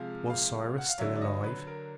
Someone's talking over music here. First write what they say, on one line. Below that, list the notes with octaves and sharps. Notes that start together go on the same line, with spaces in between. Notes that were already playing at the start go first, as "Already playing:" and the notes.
Was Cyrus still alive?
Already playing: C3 F3 G#3 F5
F5
F#5
F5
D3 F#3 E5
D5
D#5
B4
A#4